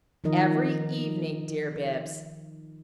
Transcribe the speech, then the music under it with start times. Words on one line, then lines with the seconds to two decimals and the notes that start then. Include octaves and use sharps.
"Every evening, dear Bibbs!"
0.24 D#3 F3 D#4 A#4 D#5